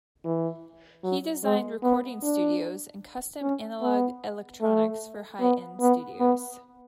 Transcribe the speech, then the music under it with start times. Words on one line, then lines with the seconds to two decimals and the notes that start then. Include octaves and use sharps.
He designed recording studios and custom analog electronics for high end studios.
0.24 E3
1.04 F#3
1.44 G#3
1.83 B3
2.23 D4
3.41 C#4
3.81 B3
4.61 A3
5.40 B3
5.80 B3
6.20 B3